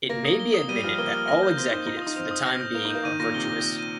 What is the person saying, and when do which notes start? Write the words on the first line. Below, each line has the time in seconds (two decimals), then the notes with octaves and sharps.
It may be admitted that all executives for the time being are virtuous.
0.09 A#3 A#6
0.25 D#6
0.39 G7
0.54 D#6
0.69 G3 D#7
0.84 F3 F6
0.98 A#3 G7
1.13 F6
1.28 A#6
1.43 G6
1.57 C4 G7
1.71 D#4 G6
1.87 D#4 A#6
1.97 F4
2.02 D#4 D#6
2.16 C4 F7
2.31 D#6
2.46 A#6
2.61 G6
2.75 A#3 F7
2.85 D#4
2.90 A#3 G6
3.05 D#3 D#7
3.20 A#2 A#6
3.34 C3 G7
3.49 A#6
3.64 G6
3.79 D#7